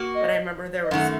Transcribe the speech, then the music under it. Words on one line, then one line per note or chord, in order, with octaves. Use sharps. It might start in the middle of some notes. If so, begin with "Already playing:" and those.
but I 'member there was
Already playing: A#3 F#4
D#5
D#5
F#2 D#3 A3 F#5